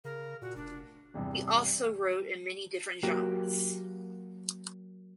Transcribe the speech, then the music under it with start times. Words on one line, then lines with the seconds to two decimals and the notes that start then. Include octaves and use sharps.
He also wrote in many different genres.
0.05 C#3 A#4
0.42 A#2 F#4
0.56 F1 D4
1.14 E2 G2 C3
3.03 F#3 A#3 F#4 G4